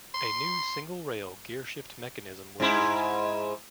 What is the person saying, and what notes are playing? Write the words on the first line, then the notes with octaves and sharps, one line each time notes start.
A new single-rail gearshift mechanism was used.
C6
G#2 E4